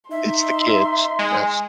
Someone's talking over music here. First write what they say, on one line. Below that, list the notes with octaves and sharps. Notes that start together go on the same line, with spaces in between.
It's the kids. That's
D#4 E5 C6
G#3